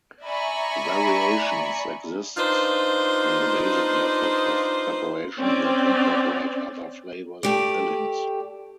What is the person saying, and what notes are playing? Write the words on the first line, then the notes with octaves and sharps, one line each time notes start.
Variations exist on the basic method of preparation that incorporate other flavors and fillings.
D5 E5 G#5 A#5 B5 C#6
D4 D#4 F4 B4 C5
C4 C#4 D5
A3 G4 D5